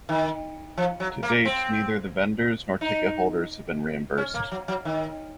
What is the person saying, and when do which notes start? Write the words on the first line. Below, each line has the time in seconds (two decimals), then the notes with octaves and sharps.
To date, neither the vendors nor ticketholders have been reimbursed.
0.09 D#3
0.77 F3
1.00 F#3
1.23 A#3
1.45 C4
2.81 D#4
4.18 C#4
4.34 A#3
4.52 F#3
4.68 F#3
4.85 D#3